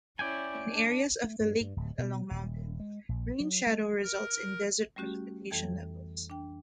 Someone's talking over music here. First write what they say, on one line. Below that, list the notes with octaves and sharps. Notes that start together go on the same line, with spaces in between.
In areas of the lakebed along mountains, rain shadow results in desert precipitation levels.
C#4 E4 D5 G5 G#5
D4
A3
G2
G2
D1
B2
D#1
G#3
A#1
F#3
G#3
A#4
G3 A3 C#4 F#4 G4
F2 E3 A4 G5 G#6
D4 G5